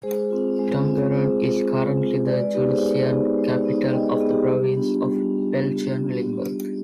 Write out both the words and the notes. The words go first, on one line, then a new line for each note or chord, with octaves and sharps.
Tongeren is currently the judicial capital of the province of Belgian Limburg.
G#3 G#4 C5
C4 F4
G#3
C4 F4
G#3 G#4 C5
C4 F4
G#3
C4 F4
G#3 B4 D5
B4 D5
B3 D#4 G4 B4
G#4 C5
G#3
B3 D#4
G#3
B3 D#4
G#3 D#5 G5
G#4
B3 D#4
G4
G3
B3 D4 F4
G3